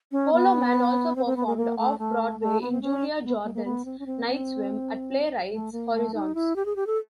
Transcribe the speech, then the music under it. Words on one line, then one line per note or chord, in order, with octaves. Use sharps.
Holloman also performed off-Broadway in Julia Jordan's "Night Swim" at Playwright's Horizons.
C#4
B3
C4
C4
B3
A#3
A#3
A3
A3
A3
B3
C4
C#4
B3
A#3
A#3
B3
C4
C#4
C4
C4
A3
A#3
A3
D#4
E4
G4
G#4
G4
A4